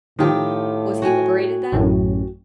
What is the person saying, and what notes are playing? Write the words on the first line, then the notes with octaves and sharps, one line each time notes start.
"Was he liberated, then?"
A2 D#3 F3 F4 G4
F#4 G5 G#5
A1 F#2 A2